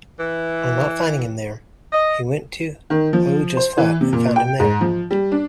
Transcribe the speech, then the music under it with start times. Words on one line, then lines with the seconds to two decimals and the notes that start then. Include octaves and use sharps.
On not finding him there, he went to Ahuja's flat and found him there.
0.19 E3
1.92 D#5
2.90 D#3
3.13 F3
3.57 C5
3.78 E3
4.01 C3
4.13 A#2
4.36 G5
4.60 G#2
4.81 F3
5.11 G3
5.32 D4